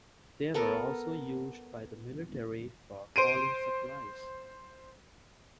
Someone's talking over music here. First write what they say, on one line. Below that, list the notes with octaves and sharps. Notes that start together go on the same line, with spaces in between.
They were also used by the military for hauling supplies.
B3 A4 A#4
C5 D7 D#7